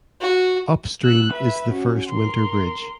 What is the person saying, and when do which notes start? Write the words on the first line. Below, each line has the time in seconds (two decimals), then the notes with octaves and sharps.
Upstream is the First Winter Bridge.
0.21 F#4
1.04 E6 F#6
1.32 B4 E5
1.71 C#4 F#4
2.09 A#4 C6